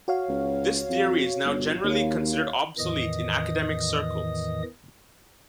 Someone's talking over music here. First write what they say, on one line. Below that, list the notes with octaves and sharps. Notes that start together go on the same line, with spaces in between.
This theory is now generally considered obsolete in academic circles.
F#4 C#5 F5
C#2
F2
G1
D#2
E2 A2 D#3 E3 D#5 D#6